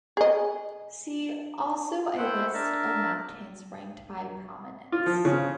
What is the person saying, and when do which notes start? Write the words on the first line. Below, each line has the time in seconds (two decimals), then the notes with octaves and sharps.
See also a list of mountains ranked by prominence.
0.17 G#4 D#5
2.17 A3 E4 C5 F#5 G5
2.54 D4 A#4 E5 A5
4.92 F4
5.06 F3
5.25 C#3